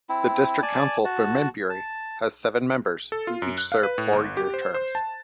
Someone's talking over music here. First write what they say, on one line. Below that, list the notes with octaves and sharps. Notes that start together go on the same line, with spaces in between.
The district council for Min Buri has seven members, who each serve four-year terms.
C4 E4
D5 G#5 A5
F#4 A5
A5
A4
F4
F#2
F#6
F5
B4
A2
G1
G4
C5
C5
A5